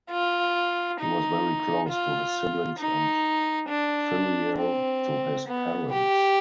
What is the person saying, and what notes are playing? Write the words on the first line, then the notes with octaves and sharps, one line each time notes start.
He was very close to his siblings and filial to his parents.
F4
D#4
F4
D#4
D4
C4
B3
G4